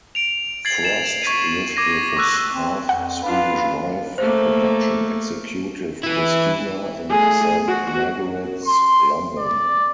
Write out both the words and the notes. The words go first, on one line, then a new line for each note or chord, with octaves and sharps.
Frost lived with his half-Swedish wife, production executive Christina, in Saint Margarets, London.
D7 F7
G#6 A6 C7 F#7
A6 E7
C#6 G#6 B6 C7 D#7
D6 G#6 A#6 D#7
C#6 D6 E6 F#6
C4
F2 F#5
D4 F4 B4 F5
A3 A#3 C5
E3 E4
A3 G#4
F#4
C6
D5